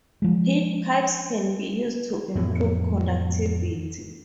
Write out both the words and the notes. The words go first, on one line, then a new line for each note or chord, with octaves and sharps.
Heat pipes can be used to improve conductivity.
F3 G#3
F2 A2 E3 B3